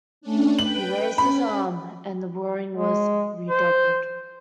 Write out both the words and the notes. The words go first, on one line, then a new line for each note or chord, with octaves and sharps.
He raised his arm, and the roaring was redoubled.
A3 C#4 D4
B4 G5 F#7
C#4 B5
G#3
C5